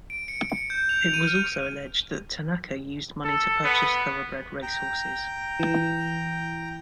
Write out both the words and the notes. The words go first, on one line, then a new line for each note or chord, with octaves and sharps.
It was also alleged that Tanaka used money to purchase thoroughbred race horses.
D7
C#7
C#7
G6
F7
D#7
F6
A4
B3
G5 A#5
E3